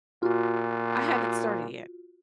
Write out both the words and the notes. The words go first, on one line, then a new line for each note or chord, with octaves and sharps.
I haven't started yet.
A#2 F4 F#4